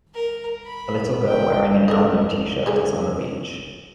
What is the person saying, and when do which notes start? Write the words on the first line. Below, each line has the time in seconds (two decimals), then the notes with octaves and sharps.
A little girl wearing an Elmo tshirt is on the beach.
0.14 A#4
0.66 B5
1.27 G5
1.88 A4 A#4 D#5
2.66 D3 G#4 C#5